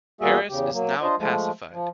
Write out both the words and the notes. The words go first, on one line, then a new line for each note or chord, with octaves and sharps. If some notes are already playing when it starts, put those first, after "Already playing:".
Paris is now pacified.
E2 G3 A#3 F#4 G#4 E5
E2 C#3 G4
F#3 A#3
D4 F4 C5 D#5
F3 G#3 A3
F3